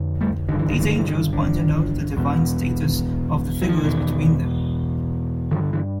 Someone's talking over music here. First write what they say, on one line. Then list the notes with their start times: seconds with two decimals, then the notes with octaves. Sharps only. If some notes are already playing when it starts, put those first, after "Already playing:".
These angels pointed out the divine status of the figures between them.
Already playing: F2 D3
0.21 G3 A3
0.49 G2 D3 D#3
0.59 E3
0.69 D#3
0.79 E3
0.89 D#3
0.98 E3
1.08 D#3
1.33 D3
2.17 E2 B2
3.62 F#3
3.69 F3
3.77 E3
3.84 E2 B2 D#3
5.51 G2 D3 D#3 F3
5.73 D3 E3